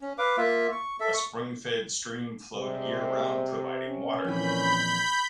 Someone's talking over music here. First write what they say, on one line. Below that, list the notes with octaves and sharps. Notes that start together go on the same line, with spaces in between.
A spring-fed stream flowed year-round providing water.
C#4
B4 F5 D6
A#3 F4 E5
C#6
A4 E5
C#6
C3 G3 G#3 C5
C#4
F2 A#2 E3 B5 G6